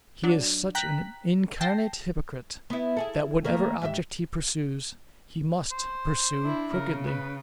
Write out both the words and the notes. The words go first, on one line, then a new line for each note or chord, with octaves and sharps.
He is such an incarnate hypocrite, that whatever object he pursues, he must pursue crookedly.
F#3 D4
G5 A#5 F#6 B6
G5 A5 A#6 C7
B3 E4
E4 G#4 A4
D#3 A3 A#3
G#2 G4 E5
C5
D4 E4
C#3 A#4
B4